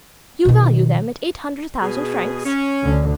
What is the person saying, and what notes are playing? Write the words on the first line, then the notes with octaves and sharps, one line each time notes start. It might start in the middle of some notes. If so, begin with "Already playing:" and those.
"You value them at eight hundred thousand francs?"
B2 D#3
B2 G#4
C#4
D2 D3